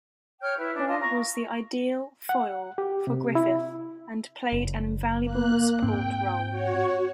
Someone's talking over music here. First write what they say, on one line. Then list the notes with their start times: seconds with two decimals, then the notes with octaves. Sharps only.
Hall was "the ideal foil" for Griffith and played an invaluable support role.
0.41 C#5 G5 F6 G6
0.56 E4 B4
0.74 D4
0.86 F4 D#5 A5
1.00 A#5 C#6
2.29 F#5
2.78 G4
3.07 C3
3.35 E4
4.53 F#1
5.22 A#3 F#6
5.82 G#2 C4 G5
6.51 F#4 C#5